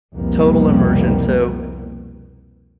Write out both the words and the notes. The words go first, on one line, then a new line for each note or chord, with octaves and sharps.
Total immersion so,
C2 F2 B2 G3 A#3 B3